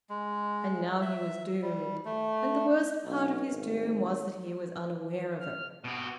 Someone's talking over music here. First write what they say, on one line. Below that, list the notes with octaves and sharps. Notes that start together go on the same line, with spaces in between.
And now he was doomed, and the worst part of his doom was that he was unaware of it.
G#3
E5
G3
A3
B1
G#1
F6
B2 F#4 G4